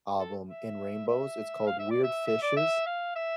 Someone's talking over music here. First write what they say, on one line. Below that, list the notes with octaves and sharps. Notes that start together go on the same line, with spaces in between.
album In Rainbows, it's called Weird Fishes,
A4
E5
E5
F5
E5
D5
E5
E5
D5
E5
F5
E5